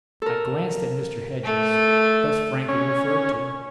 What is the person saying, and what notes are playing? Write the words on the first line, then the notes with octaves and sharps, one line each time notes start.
I glanced at Mr. Hedges, thus frankly referred to.
A4 A#4
A3
C#4